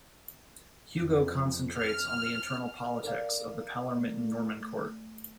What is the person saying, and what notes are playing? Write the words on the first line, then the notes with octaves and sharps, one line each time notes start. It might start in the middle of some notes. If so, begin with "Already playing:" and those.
Hugo concentrates on the internal politics of the Palermitan Norman court.
F2
F6
A#4 D5 F5
A3